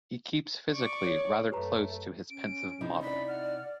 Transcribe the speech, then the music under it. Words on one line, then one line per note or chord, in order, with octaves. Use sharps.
He keeps physically rather close to his pensive model.
D5 C#6 D6
C#5
F#2 A3 G4 B4 A#5
C#4 D7
C3 D#4 E4
D5 B5
F#5 F6